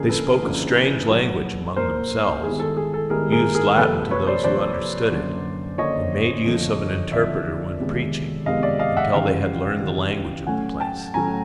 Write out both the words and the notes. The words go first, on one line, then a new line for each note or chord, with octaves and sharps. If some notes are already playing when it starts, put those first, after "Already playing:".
They spoke a strange language among themselves, used Latin to those who understood it, and made use of an interpreter when preaching, until they had learned the language of the place.
Already playing: D3 F3 A#3 C#4 E4 G#4 A#4
A4 B4
D3 F3 A#3 C#4 E4
A#2 F#3 A#3
A#2 F#3 A#3 A#4 C5
G#2 D#3 G3 B3 E4 G#4
A4
G#4
A4
G#2 D#3 G3 B3 E4 G#4 A#4
G#4 A#4
G#4 A#4
C3 F3 A#3 A4 B4
B4 C#5
C5 D5
C3 F3 A#3 C5 D5
F#2 D3 F#3 A#3
F#2 D3 F#3 A#3 C#5 D#5
F2 D3 F3
F2 D3 F3 D5 E5
F2 C3 D#3 G#3 B3
F2 C3 D#3 G#3 B3 D#5 F5
D5 E5
D#5 F5
E5 F#5
C#3 E3 G3 F5 G5
C#3 E3 G3
A2 F#3 A3 C#4 F#5 G#5
G5 A5
A2 F#3 A3 C#4 G#5 A#5